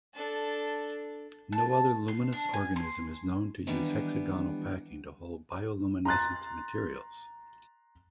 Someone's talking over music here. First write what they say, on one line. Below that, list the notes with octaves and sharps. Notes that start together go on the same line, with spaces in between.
No other luminous organism is known to use hexagonal packing to hold bioluminescent materials.
D4 A4
A5
C6
D4
G#5
C6
D#3 E3 G3 B3 D4
A#5 C6 F#6 A6